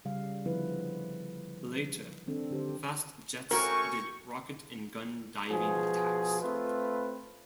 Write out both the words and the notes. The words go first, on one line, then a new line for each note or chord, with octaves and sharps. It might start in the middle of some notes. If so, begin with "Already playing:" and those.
Later, fast jets added rocket and gun diving attacks.
C#3 G3 F5
D3 F3 B3 E4 B4
D#3 C4 D4 A4
D3 G4 C5
A3 C#4 F#4 A#4 G5 C#6
B2 F3 G#4
A3 C4 F4 B4